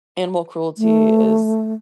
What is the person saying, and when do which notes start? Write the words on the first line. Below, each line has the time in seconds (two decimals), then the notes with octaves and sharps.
animal cruelty is
0.78 A3